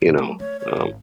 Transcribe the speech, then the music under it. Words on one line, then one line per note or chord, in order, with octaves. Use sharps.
you know, um,
F#2 B2
F#3 A3
A3 C#5
C#5
G#1 D#2